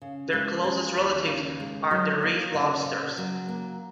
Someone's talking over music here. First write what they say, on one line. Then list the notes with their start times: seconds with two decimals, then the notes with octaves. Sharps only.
Their closest relatives are the reef lobsters.
0.02 C#3
0.33 G#3
0.64 C#4
0.97 D#2
1.27 C#3
1.60 G#3
1.91 F#3
2.23 A#3
2.54 C#3
2.85 C#3
3.18 F#3
3.48 A#3